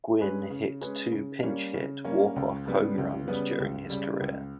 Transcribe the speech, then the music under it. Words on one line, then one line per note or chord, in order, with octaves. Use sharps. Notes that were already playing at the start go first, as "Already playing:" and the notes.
Gwynn hit two pinch-hit walk-off home runs during his career.
G#3 C#4 G#4 B4
C#3
G#3 C#4 G#4 B4
C#3
G3 A#3 C#4
C#3
G3 A#3 C#4
C#2
C#3 G3 B3
C#2
C#3 G3 B3
C#2
C#3 G3
C#2